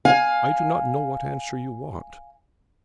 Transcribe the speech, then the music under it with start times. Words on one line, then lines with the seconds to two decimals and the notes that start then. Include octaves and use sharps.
'I do not know what answer you want.
0.05 F5 G#5